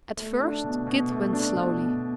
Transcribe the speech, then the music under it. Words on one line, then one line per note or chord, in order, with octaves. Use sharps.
At first Kit went slowly.
A3
D4
B2
B2
A3
D4
B2
B2